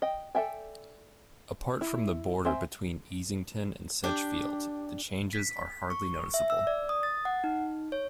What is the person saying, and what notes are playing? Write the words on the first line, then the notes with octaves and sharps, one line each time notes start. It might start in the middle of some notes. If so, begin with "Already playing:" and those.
Apart from the border between Easington and Sedgefield, the changes are hardly noticeable.
D#5 G5
A4 D5 E5 G5 G#5
E4
C4 C5 E5 G#5
D4 G4
B6
C#6
E5
E6
D5
D#6
A6
F#5
D#4
C#5